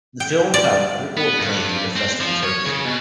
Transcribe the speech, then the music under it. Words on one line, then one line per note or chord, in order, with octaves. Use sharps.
The film found critical acclaim in the festival circuit.
G5
D5
B3
G2
C4
F3
C#5
C#3
B2